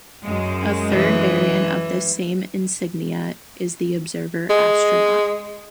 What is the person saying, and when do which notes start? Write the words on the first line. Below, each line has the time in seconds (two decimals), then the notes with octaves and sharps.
A third variant of this same insignia is the Observer Astronaut.
0.23 F#2 G#3
0.91 E3
4.50 G#3